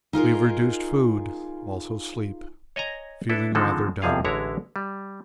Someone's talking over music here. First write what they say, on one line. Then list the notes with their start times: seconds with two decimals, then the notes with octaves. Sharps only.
We have reduced food, also sleep; feeling rather done.
0.13 D#4 F4 G#4 A#4
2.76 C#5 D#5 G#5 A#5
3.29 D4 E4 A4 B4
3.55 D3 D#3 F3 G#3 C4 A4
4.02 C2 F2 C3 F3 G#4 F5
4.24 A1 D3 G#3 E4 C#5 A#5
4.76 G3